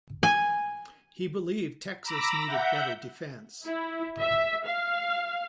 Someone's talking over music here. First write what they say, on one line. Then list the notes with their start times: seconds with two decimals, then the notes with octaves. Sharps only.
He believed Texas needed better defense.
0.23 G#5
2.03 A#5 B5 D6 E6 A#6
2.46 E5 F#5 G6
3.66 E4
4.19 E5
4.66 F5